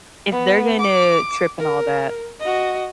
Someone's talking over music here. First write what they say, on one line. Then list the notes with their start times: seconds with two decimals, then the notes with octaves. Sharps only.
if they're gonna trip and all that,
0.31 B3
0.81 D6
1.59 A#4
2.40 F#4 D#5